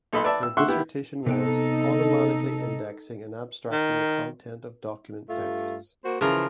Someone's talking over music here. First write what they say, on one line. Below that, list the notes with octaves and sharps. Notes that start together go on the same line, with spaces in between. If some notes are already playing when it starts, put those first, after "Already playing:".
Her dissertation was "Automatically Indexing and Abstracting the Content of Document Texts".
B1 A4 D#5 B5 C6
B4 D5 E5 A5
E6
D3 E5 F#5 C6 C#6 F#6
B3 E4 G4
C3 B3 D#4 A4 G5
D#3
G2 A3 F4
A#3 F#4 C5
C#3 E3 F3 E4 A#4 C5